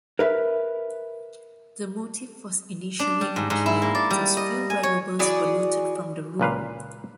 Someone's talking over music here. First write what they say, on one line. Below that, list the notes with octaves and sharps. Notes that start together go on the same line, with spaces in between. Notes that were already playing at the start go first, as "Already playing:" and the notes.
The motive was initially unclear because few valuables were looted from the room.
A#4 B4 E5
D4
G3
G#2
G#2
E4
A#3
D5
G3
D#5
G#5
C#5
E3 F#4 G#4 D5
C#2 A#2 B4 F5